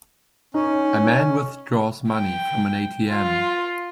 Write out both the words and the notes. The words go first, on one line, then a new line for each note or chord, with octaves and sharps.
A man withdraws money from an ATM.
C#4 D#4
G5
F4